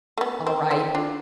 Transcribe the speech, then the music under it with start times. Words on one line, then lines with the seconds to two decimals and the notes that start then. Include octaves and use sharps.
All right.
0.18 A3
0.21 B3
0.47 C4
0.70 C4 E4
0.95 D4 F4